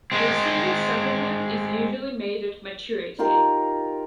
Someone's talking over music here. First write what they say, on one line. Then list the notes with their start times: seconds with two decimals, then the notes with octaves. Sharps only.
A single settlement is usually made at maturity.
0.12 G#3 C4
3.19 D#4 F4 G4 A#4